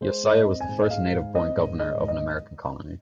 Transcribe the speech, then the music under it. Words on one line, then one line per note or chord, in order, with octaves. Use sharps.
Josiah was the first native born governor of an American Colony.
G#3 C5
G#2
D#5
C4
G#5
G#2
D#5
G#3 F5
G#2
C4 D#5
G#2
G#3 D#5
G#2
D#5